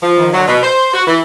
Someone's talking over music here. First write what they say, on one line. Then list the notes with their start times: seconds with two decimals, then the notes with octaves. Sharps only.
and a
0.02 F3
0.33 F#3
0.47 B2
0.63 C5
0.94 F#4
1.07 E3